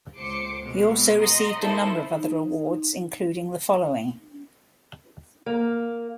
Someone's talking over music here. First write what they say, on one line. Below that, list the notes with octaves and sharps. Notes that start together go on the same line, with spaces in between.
He also received a number of other awards, including the following.
C#2 C5 D6 C7 C#7
B2 G#3
D#5 F#5 A#5 C6
A#3 D#4 E4 A4 C5
D#4
A#3